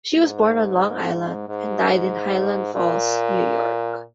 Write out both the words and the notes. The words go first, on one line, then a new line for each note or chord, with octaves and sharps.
She was born on Long Island and died in Highland Falls, New York.
G#2
G#2
A#2